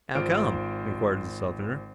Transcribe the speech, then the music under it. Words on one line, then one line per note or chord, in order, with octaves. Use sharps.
"How come?" inquired the Southerner.
G#1 F4 C5 F6 D7